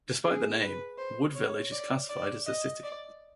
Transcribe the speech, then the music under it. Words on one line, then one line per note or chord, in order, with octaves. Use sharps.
Despite the name, Wood Village is classified as a city.
G#4
B4
C5
C#5
D5
D5
D#5
D5